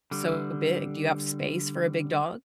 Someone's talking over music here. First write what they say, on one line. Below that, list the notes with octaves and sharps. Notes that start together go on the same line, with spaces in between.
so big? Do you have space for a big dog?
D3 G3